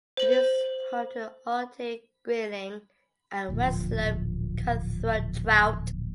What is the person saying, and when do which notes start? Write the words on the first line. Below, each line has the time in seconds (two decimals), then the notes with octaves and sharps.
It is home to Arctic grayling and westslope cutthroat trout.
0.17 C5 F#7
3.49 D1 A#1 A#2